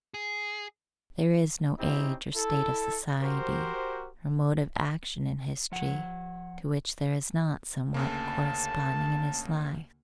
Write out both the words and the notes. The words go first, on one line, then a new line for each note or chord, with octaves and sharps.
There is no age or state of society or mode of action in history to which there is not somewhat corresponding in his life.
G#4
C4 C#4 D#4 E4 G4
E4 A4
F#4 G4 A#4 C5
F3 F#5
D2 C#3 A#3 A5